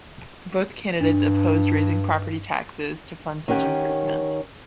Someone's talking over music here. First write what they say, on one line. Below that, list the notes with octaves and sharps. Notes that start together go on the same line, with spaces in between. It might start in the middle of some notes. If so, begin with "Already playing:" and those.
Both candidates opposed raising property taxes to fund such improvements.
G2 D4
D#3 C#4 G4 F#5